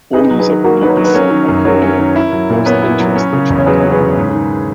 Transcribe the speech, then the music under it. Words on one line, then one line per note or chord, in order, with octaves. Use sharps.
AllMusic reviewed this song by calling it "most interesting" track on the album.
D#4 G#4 B4
F#3
G#4 B4
D#3
A#3 F#4 A#4
D#4 B4
A#4 C#5
F#3
B4
C#4 A#4 C#5
D#3
F#2
F#3 A#4 C#5
C#4
D#3
E4
F#3
A#2
B3 A#4 C#5
E4
F#3
C#4
C#3
E2
C#5
F#3 G#4 B4
C#4 C#5
G#4 B4
C#3
G#2
D#3